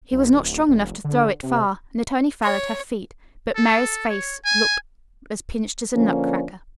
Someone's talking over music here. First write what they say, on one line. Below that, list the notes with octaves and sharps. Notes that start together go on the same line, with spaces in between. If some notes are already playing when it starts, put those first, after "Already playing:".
He was not strong enough to throw it far and it only fell at her feet, but Mary's face looked as pinched as a nutcracker.
B1
D1
F1
D3
C3
C#5
A4
C#5
G#5
D3 F3 A#3 C#4 D4